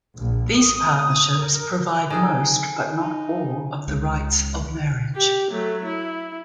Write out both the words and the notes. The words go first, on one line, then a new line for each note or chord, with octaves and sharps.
These partnerships provide most but not all of the rights of marriage.
A#1
D#6
A#4
D#3 D#4 G#4 A4 G#5
D#4
C#2
G4
F#3 A3
E4